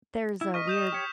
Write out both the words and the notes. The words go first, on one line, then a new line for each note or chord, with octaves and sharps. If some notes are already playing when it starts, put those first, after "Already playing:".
there's a weird
E4
D#5 C#6 F6 B6
D#6 G6 E7
G4 C#5